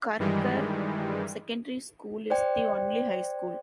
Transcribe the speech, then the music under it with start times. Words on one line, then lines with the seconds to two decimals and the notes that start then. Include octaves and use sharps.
Karkar Secondary School is the only high school.
0.19 G2 D#3 E3 G3 G#3
2.30 C5 D5 G5